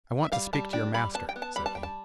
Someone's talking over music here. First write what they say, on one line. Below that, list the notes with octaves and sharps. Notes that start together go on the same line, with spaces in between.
'I want to speak to your master,' said he.
E5
G3 F5
G3 A5
D4 G5
G3 B5
B3 A5
G5
B3
A5
G3 B5
A5
G3 G5
A5